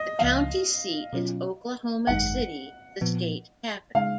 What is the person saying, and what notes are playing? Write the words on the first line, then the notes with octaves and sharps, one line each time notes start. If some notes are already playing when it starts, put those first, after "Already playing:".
The county seat is Oklahoma City, the state capital.
Already playing: D#5
C#2 C#3 F3 A#3 F5
B2 F#3 C#4 F4
G#1 F#2 D#3 G#3 D#4 F#5
A#2 F3 B3
C#3 G#3 D#4 F5